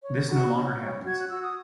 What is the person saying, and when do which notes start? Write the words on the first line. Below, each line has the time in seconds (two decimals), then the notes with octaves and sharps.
This no longer happens.
0.04 C#5
0.29 F#4
0.54 C#5
0.79 C#5
1.03 F#4 G#6
1.19 F#6
1.29 F#4 E6
1.42 D#6